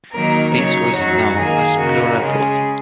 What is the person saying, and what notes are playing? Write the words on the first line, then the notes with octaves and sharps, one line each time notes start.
This was known as plural voting.
D#3 F#3 A#3 D#4 A#4
C#3 F#3 D#4 C#5
F#2 F#3 D#4 F#4
F#2 D#3 A#3 G#4
C#3 A#3 D#4 F#4
C#3 G#3 C#4 G#4